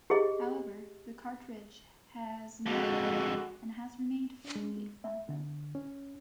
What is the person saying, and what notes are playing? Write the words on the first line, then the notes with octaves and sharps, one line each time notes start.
However, the cartridge has never taken off, and has remained fairly expensive.
G4 G#4 D#5
F2 D3 G#3 F#4
G#3
E5
D3
C#4